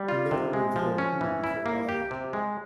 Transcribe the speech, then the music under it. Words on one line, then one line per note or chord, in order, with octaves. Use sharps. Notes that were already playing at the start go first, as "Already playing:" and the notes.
He never revealed who before dying.
Already playing: G3
F4
C3
G#3
F3
C#4
E3
E4
A#3
G4
C3
G#3